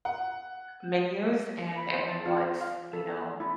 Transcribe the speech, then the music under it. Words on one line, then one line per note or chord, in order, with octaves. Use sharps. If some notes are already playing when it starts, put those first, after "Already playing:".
menus, and and what's, you know
F#5
B5
C5
A5
F4
C5
F5
A4
E4